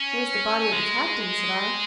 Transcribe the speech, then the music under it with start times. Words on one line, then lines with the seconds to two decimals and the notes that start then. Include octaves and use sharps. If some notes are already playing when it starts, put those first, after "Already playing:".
"There is the body of the captain," said I.
Already playing: C#4
0.72 G#3